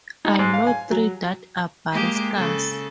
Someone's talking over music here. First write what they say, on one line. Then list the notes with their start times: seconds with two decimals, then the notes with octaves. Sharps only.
I know three that are baristas.
0.25 D#4
0.39 G#2
0.54 F5
0.67 G#5
0.91 F#3
1.92 G#3 A#3 G4
2.35 C#3 A4